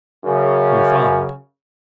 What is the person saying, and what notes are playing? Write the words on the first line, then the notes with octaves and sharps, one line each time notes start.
We followed.
F#2 C#3